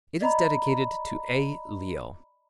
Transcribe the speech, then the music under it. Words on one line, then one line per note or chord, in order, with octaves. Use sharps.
It is dedicated to A. Leo.
D5 D#5 A#5 B5